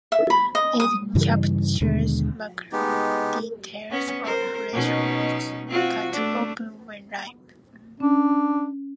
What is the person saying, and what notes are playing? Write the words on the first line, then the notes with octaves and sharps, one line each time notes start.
It captures macro details of fresh fruit cut open when ripe.
E5
B5
D#5
D#6
G2 C#3 E3 G3
D#2 B2 D3 G#3
G#3 B3 D#4 G4
B3 C#4
A#4 C5
B2 C#4 D#4
C4 F4 F#4
A3 D4
C#4 D4